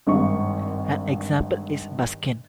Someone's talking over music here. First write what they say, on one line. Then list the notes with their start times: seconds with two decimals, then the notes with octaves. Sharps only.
An example is buskin.
0.07 G#1 G2 D#3 F5 C#6